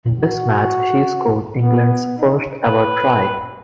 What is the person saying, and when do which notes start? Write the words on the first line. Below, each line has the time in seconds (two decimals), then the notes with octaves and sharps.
In this match he scored England's first ever try.
0.18 F#4
1.63 B3
2.18 D#4
2.64 B4